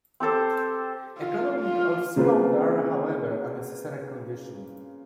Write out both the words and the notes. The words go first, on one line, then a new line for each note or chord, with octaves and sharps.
Economies of scope are, however, a necessary condition.
C4 G4 A4 C5
F4
F4
C#3 A#3 C4 F4 B4